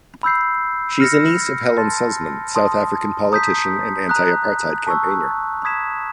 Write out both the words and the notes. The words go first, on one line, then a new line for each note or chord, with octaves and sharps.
She is a niece of Helen Suzman, South African politician and anti-apartheid campaigner.
B5 E6 G6 C7
F6 A#6 C#7
A5 C6 F6 A6
A5 C6 D#6
A#5 D#6 G6 B6
A#5 D#6 F#6
A5 C#6 E6
B5 D#6 G#6 B6 E7